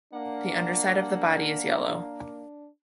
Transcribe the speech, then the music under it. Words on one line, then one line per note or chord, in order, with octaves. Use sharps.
The underside of the body is yellow.
A#3 D4 F#5